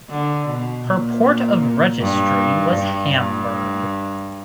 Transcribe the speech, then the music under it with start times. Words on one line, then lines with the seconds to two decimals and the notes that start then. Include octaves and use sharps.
Her port of registry was Hamburg.
0.10 D3
0.48 B2
0.87 A#2
2.01 G2
2.76 G2
3.14 G2